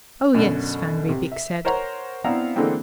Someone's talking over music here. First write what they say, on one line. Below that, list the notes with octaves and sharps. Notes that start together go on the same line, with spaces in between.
"Oh, yes," van Riebeek said.
F#2 B2 D3
C3
E5
A#4 C5 C#5 F#5 A#5
B3 C4 D4 E4 F5 A#5
D3 E3 G#3 A#3 C4